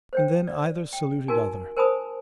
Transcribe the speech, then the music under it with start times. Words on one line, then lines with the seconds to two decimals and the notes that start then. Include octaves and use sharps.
And then either saluted other.
0.13 C5 C#5 G5
0.47 D5
0.93 G5
1.28 D#4 F#4 A#4 G#5
1.77 A#4 C5 G#5 A5 B5 D#6